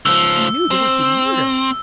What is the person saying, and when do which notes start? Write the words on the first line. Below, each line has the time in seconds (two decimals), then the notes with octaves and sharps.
If he knew, there would be murder.
0.05 C#2 F3 E6
0.71 C4